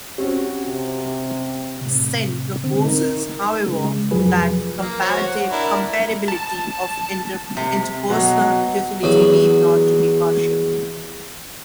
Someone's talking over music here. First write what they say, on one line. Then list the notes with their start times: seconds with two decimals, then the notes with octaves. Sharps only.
Sen proposes, however, that comparability of interpersonal utility need not be partial.
0.18 C4 C#4 F#4 G4
0.68 C3
1.81 A2 C3
2.64 D3 C4
2.84 D#4 A#4
3.68 C#3 G#3
4.11 C2 F2 F3 F#3 G#4 B4
4.80 A#3
5.01 F#4 C5 C#5
5.26 F#5
5.51 D4 E4 A#4
6.28 A5
7.57 C3
8.10 B2 F#3
9.03 E2 F#3